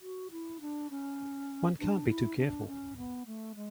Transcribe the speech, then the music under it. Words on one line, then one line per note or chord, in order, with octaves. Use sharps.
One canât be too careful.
F#4
E4
D4
C#4
D4
E4
D4
C#4
B3
A3
G#3